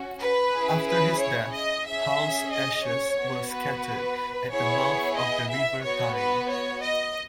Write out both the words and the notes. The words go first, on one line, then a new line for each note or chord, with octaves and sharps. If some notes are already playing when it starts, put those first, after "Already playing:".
After his death, Hull's ashes were scattered at the mouth of the River Tyne.
Already playing: C#4 F#4
B4
C#4 E4 G#4
B4
C#5
D#5
C#4 G#4 E5
D#5
C#5
B3 F#4
B4
B3 E4 G#4 C#5
D#5
E5
B3 F#4 C#5
B4
C#5
D#5